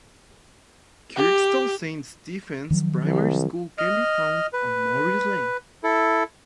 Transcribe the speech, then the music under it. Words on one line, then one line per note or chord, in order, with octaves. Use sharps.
Kirkstall Saint Stephens' Primary School can be found on Morris Lane.
G4
D#3 F3 F#3
C2
D#5 F6
B4
E4 A4